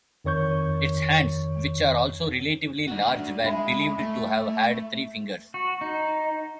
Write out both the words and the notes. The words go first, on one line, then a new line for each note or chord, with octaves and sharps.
Its hands, which are also relatively large were believed to have had three fingers.
F2 D#3 C#5 C#6 G6
D4 F#4
G#3 E4
A3
F#4
D#4